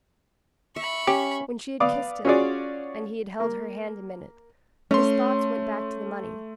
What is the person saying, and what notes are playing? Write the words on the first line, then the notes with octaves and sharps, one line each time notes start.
When she had kissed him, and he had held her hand a minute, his thoughts went back to the money.
E5 B5 C#6
C#4 G4
B3 D5 F5 D6 D#6
C#4 F4 F#4 G#4 C#5 D5
A#3
A3 C#4 C6